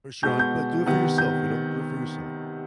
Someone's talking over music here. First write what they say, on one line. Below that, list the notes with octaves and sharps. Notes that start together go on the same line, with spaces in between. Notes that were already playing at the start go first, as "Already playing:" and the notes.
For sure, hon, but do it for yourself, you know, do it for yourself.
B2 G#3 B3 G6
G6
C3 D#3 B3
G6